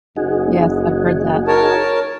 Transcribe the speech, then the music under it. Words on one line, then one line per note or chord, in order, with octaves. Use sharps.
Yes, I've heard that.
F#1 D#4 F#4 G#4
A#4 C#5 A5